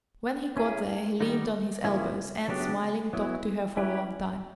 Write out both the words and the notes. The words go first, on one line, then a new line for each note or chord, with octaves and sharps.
When he got there he leaned on his elbows and, smiling, talked to her for a long time.
C#4 E4 G#4
D#3 G3 B3 D#4
C#3 F3 A#3 C#4 E4
C#3 F#3 B3 D4 G4
F#3 B3 E4
C#4 E4 G4 B4